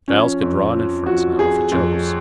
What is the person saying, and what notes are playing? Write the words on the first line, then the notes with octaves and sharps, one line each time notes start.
Giles could draw an inference now if he chose.
F3 C#4
F2
F3
F3 F#4
F3 G#4
F2